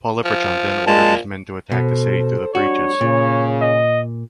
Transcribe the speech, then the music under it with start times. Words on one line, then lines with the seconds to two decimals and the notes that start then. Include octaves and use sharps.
Polyperchon then ordered his men to attack the city through the breaches.
0.24 F3
0.87 A#2 G#3 A5
1.72 B2 A4 C5
2.55 F2 G3 D4 F#4 C#5
3.01 A#2 C#3
3.61 D#5